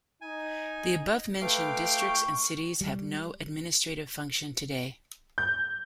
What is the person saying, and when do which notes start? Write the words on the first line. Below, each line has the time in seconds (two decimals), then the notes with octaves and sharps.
The abovementioned districts and cities have no administrative function today.
0.21 D#4 G#5
1.41 A3 F4 B4 F5 G5 D6
1.97 C#6
2.81 G3
5.38 G6